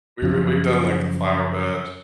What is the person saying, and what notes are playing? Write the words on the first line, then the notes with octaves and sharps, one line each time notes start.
we were we've done, like, the flower bed
F#2 C#3 F3